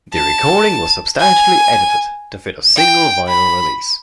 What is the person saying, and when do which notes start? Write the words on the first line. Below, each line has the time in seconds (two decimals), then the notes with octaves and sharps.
The recording was substantially edited to fit a single vinyl release.
0.14 A5
1.20 G#5
2.76 G5
3.29 B5